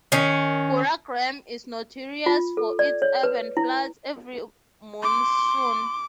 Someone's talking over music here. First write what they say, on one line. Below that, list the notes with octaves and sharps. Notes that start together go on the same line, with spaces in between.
Gurugram is notorious for its urban floods every monsoon.
D#3 C#4
F4
A4
D5
C#5
B4
E4
C6 D6